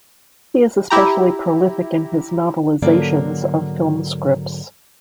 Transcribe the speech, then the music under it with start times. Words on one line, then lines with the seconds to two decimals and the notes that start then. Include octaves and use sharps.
He is especially prolific in his novelizations of film scripts.
0.90 E4 G4 A#5
2.82 G#2 D3 F#3 A#3 C#4 D5